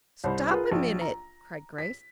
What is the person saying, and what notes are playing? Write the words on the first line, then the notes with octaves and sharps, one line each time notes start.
"Stop a minute!" cried Grace.
C2 C5 B5
F4 G#4 A#4 B4
A#1
A#5
B6